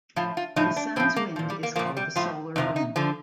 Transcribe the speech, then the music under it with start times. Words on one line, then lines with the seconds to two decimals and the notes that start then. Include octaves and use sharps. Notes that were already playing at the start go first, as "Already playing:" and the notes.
The Sun's wind is called the solar wind.
0.16 A2 F3 F4
0.37 F4
0.56 A2 F3 D#4
0.76 D4
0.96 A2 C4
1.00 F3
1.16 A#3
1.36 A#2 F3
1.50 G3
1.63 A#3
1.76 F3 A#3
1.79 A#2
1.97 G3
2.16 A2 F3 F4
2.56 F2 C3 F3 D#4
2.76 D#4
2.96 D3 F3